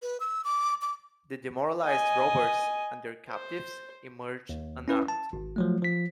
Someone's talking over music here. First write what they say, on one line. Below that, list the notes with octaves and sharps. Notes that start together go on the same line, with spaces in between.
The demoralised robbers and their captives emerged unharmed.
B4
E6
D6
D6
D#5 G#5
C5
D#2
C#4 E4 B4
A5
G#1
F3 F#3 A3
F3 B6